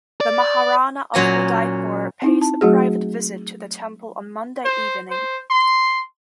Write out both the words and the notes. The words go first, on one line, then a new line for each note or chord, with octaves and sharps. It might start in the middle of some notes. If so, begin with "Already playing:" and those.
The Maharana of Udaipur pays a private visit to the temple on Monday evening.
D5
A#2 F#3 C#4 A#5
C4 D#4 E4
A5
F#3 A3 F#4 G#4
C5
C5
C6